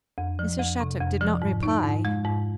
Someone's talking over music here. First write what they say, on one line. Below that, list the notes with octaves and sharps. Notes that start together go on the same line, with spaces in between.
Mrs. Shattuck did not reply.
F2
F3
F2
C3
F2
F3
G#2
D#4
G#2
G#3
G#2